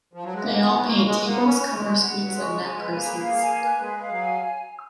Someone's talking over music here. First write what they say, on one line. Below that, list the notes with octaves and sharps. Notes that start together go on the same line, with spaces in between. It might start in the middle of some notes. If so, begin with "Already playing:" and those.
They all paint tables, cover screens, and net purses.
F3
F#3 B4
G#3
A#3 F#5
B3
B4
A#3 C#6
G#3 B4
A#3 F#5
B3
C#4 B4
C#6
G#3
B4
F#5
F#3 B4
G#3
C#6
G#3 G#5
B4
A#3
G#4
F5
G#5
B4
A#3
G#3 G#4
F5
F#3
G#5